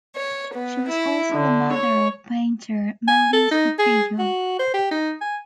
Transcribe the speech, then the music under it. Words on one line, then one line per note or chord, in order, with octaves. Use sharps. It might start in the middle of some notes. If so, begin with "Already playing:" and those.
She was also the mother of painter Maurice Utrillo.
C#5
B3
E4
D3
C#5
G#5
A4
D#4
G#4
F#4
C5
G4
D#4
G#5